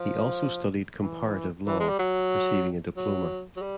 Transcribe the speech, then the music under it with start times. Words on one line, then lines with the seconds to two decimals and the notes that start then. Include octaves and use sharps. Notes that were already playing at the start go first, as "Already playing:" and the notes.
He also studied comparative law, receiving a diploma.
Already playing: F3
1.01 E3
1.67 E3
1.80 G#3
1.89 G3
1.99 F#3
2.97 F#3
3.56 F#3
3.62 G3